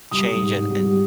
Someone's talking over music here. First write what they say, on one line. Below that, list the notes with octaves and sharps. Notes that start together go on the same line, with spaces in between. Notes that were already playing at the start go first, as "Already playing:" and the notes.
change and and
G3 D#6
G3
G#2
G#2
G3
G3